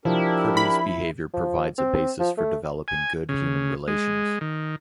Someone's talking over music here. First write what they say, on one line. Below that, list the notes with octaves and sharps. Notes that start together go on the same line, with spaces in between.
Courteous behavior provides a basis for developing good human relations.
F3 D4 E4 G4 A#4
B5
F3
C4
F3
A3
G#5
C#3
G#3
D#3